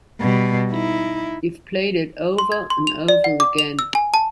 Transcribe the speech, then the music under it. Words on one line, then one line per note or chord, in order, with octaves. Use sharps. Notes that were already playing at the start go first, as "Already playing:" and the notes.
You've played it over and over again.
B2 G3
D#4 E4
C6
G#6
C6
F7
D5
F#5
D6
F7
E6
G#5
A5